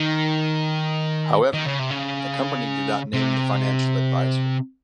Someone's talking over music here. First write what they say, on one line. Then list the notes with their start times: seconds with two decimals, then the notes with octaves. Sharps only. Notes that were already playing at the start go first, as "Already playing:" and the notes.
However, the company did not name the financial adviser.
Already playing: D#3
1.53 D#3
1.66 C#3
1.79 C3
1.91 C#3
3.13 C3